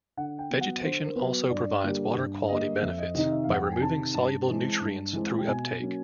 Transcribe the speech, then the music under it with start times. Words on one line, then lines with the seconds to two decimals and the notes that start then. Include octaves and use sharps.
Vegetation also provides water quality benefits by removing soluble nutrients through uptake.
0.17 D3 F#5
0.39 G5
0.51 F#3 B3
0.61 F#5
0.83 D3 C5
1.05 A#4
1.16 F#3 B3 B4
1.50 G2 D5
1.83 D3 G3 A#3
2.16 G2
2.49 D3 G3 A#3 D#5
2.81 F2 E5
2.98 D#5
3.14 C3 D#3 D#5
3.31 E5
3.44 F2 F5
3.53 F#5
3.63 G5
3.72 G#5
3.81 C3 D#3 A5
4.14 G2 A5
4.47 E3 G#3 C4
4.80 G2
5.13 E3 G#3 C4
5.38 G5
5.46 B2 G#5
5.80 F#3 A#3 C#4